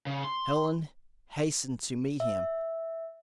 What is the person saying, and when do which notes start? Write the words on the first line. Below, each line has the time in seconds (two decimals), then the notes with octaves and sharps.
Helen hastened to meet him.
0.07 C#3
0.24 C6
2.20 E5